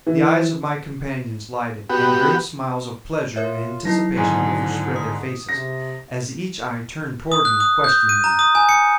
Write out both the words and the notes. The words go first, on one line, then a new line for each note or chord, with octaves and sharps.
The eyes of my companions lighted, and grim smiles of pleasure and anticipation overspread their faces, as each eye turned toward me questioningly.
E3
B3 F#4 G4
F4 A#4 C#5 E5
F#3 D#4 E4 A#6 C7
G#1 G#2 D3 G#4
D#6
C3 A#6
D#6
F#6
D#6
G6
D#7
A#5
D#6
G#5
C#7